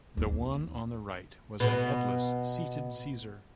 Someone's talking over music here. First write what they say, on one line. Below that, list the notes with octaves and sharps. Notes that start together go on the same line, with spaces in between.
The one on the right was a headless seated Caesar.
D#2 B3
B2 B3